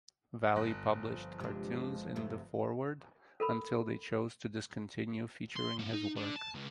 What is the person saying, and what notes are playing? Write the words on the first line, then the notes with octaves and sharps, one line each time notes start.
Valley published cartoons in "The Forward" until they chose to discontinue featuring his work.
G1 F#6 A#6
F3
C3 G#3 D4
F#2 C3 A3
A4 A#4 B5
C6
A3 B3
D#4
D3
A5
C#2